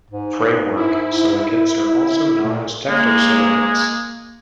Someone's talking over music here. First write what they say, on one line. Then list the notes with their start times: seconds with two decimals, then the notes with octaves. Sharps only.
Framework silicates are also known as tectosilicates.
0.10 G#2
0.77 E4
2.45 A#2 A3
2.89 G#3 A#3